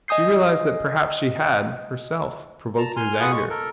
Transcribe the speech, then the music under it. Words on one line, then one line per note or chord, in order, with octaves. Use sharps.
She realized that perhaps she had, herself, provoked his anger.
D#5 G#5 D#6 G6 C7
A5 A#5
G#5 C6 F6
F4 G#4 B4 F#5 D#6
G#3 C#6
A4 A#4